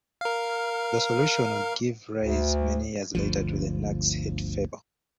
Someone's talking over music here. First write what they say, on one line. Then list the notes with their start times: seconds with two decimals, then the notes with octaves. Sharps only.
The solution would give rise many years later to the Nag's Head Fable.
0.21 A#4 F5
2.22 D2
3.15 G1 D2 F3